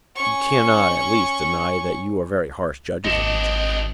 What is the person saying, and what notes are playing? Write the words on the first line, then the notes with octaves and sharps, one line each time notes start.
"You cannot, at least, deny that you are very harsh judges of each other."
C#4 C#6
G#1 C4 D4 D#5 A#6 C#7 E7